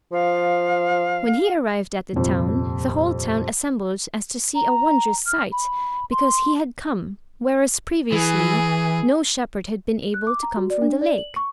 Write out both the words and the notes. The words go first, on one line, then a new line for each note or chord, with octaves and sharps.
When he arrived at the town, the whole town assembled as to see a wondrous sight because he had come, whereas previously no shepherd had been able to come from the lake.
F3 F5
D#1 C2 F2
A#5
F6
B5
C6
E3 G#4
F#6
D6
A#5
F#4
D5
D4
D5
F#7
C#6